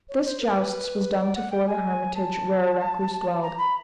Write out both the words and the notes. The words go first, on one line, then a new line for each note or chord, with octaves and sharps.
This jousts was done to-fore the hermitage where a recluse dwelled.
C#5
C5
A#4
B4
D5
F#5
G5
G#5
A5
A#5
B5